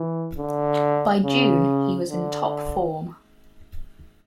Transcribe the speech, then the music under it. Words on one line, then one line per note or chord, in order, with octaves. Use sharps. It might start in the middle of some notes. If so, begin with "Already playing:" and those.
By June, he was in top form.
Already playing: E3
D3
C#3
D3